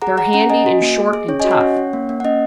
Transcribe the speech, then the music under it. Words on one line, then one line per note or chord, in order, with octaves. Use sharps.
They're handy and short and tough.
G#4 F#5 A#5
G#4 F#5 A#5
C#4 F#5 A#5
C#4 D#5 G#5
F#4
A#3
G#4
G#4
C#4 C#5
F#4 D#5 G#5
C#5 F#5
C#4
C#4
A#3
A#3
F#5
C#4 D#5